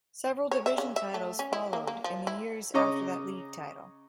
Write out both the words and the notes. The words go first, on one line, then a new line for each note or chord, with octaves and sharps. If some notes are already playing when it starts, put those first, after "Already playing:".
Several division titles followed in the years after that league title.
C#5
E5
C#3
E5
A3
C#4
E4
A#3
A#3
F3
E4
C#3 C#4 C#5 D#5 A#5 D6